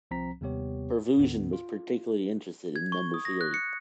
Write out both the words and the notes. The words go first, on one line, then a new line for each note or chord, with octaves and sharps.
Pervushin was particularly interested in number theory.
C2 F3 C4 A#5 B6
D#2 C3 G3 B3 G4 C#5
D2 G#2 D3 B3
F4
G#6
C#6
D#6
A#6
F#6
C#7